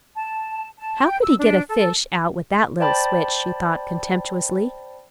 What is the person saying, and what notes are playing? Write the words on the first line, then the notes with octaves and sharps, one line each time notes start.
How could he get a fish out with that little switch, she thought contemptuously?
A5
A5
G5
E6
D4
A4
C5 D5 G5 A5 B5 A6